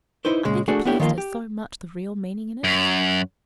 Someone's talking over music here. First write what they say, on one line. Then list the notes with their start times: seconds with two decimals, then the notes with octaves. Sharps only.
I think it pleased her so much, the real meaning in it.
0.25 D#4 E4 B4 C5
0.45 A#2 C#3 G#3
0.68 A3 D4 F#4 G#4 A4
0.85 B3 D4 E4 G4 C#5
1.00 D#3 F3 A#3 F4
1.18 G4
2.64 F#2